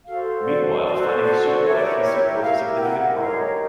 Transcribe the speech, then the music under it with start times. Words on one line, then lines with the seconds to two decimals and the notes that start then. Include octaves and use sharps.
Meanwhile, finding a suitable adhesive was a significant problem.
0.07 F#4 A4 C5 F5
0.45 D5
0.86 F#4 A4 C5 D5
1.05 D5
1.24 D5
1.45 D5
1.63 E4 G4 A#4 C#5
1.76 D5
1.88 C#5
2.03 C#5
2.42 E4 G4 A#4 F5
2.75 G5
2.82 F#5
3.21 D#4 G4 A#4 C#5 F5